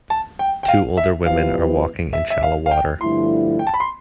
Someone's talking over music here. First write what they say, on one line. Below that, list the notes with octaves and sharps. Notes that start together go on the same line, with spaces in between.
Two older women are walking in shallow water.
A5
G5
G5
F5
E5
F3 B3 E4 G4 B4 F5
E5
E5
F5
F5
G5
G2 D3 F3 A3 E4 C6
G5
A5
B5
C6